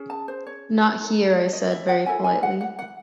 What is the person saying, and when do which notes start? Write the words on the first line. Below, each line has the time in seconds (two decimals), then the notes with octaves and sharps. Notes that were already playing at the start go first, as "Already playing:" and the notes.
'Not here,' I said, very politely.
Already playing: C#4 G#4
0.10 A5
0.28 C5
0.47 C#5
0.99 D#4 A4
1.53 D#5
1.72 E5
1.89 F#5
2.06 E4 A4 G#5
2.24 G#5
2.43 F#5
2.61 F#5
2.79 F#5